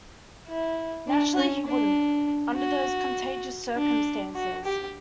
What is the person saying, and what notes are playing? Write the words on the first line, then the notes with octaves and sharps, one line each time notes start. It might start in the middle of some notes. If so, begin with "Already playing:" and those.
Naturally he wouldn't, under those contagious circumstances.
E4
D4
C#4
D4
F#4
D4
F#4
G4